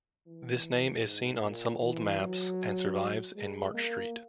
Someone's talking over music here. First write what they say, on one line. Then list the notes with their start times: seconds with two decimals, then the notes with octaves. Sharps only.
This name is seen on some old maps, and survives in March Street.
0.27 E3
1.04 G#2
1.42 A#2
1.81 E3
2.19 F#3
3.36 G#3
3.74 A#3